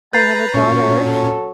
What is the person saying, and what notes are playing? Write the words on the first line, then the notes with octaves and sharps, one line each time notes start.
I have a daughter
B4 A#5 G6 A6 C7
A#2 F#3 C#4 C#5
A4